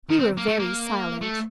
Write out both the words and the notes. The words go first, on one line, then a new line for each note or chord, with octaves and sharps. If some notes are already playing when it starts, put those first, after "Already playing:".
We were very silent.
D#3
C4
A#3
A3
A#3
A3